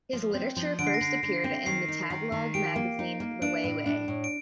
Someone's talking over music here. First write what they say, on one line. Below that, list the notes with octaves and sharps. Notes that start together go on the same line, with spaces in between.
His literature first appeared in the Tagalog magazine, "Liwayway".
F3
C4
F3
D3 D7
C7
A#6
D3 C7
D3
C4
D#3 C7
D#4
D#3
D#3
G4 D7
A#3
D#4
A#3
D4 D7
A2
D4
A2
D7